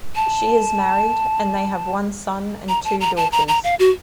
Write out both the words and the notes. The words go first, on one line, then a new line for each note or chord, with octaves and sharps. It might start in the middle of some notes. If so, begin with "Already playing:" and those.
She is married and they have one son and two daughters.
A5
A#5
A5
A#5
A5
A#5
A#5
F5
F#4